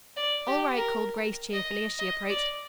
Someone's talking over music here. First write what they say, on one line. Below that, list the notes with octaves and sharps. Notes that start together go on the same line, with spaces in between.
"All right," called Grace cheerfully as she approached.
D5
G4
A#4
D#5
D#5
D5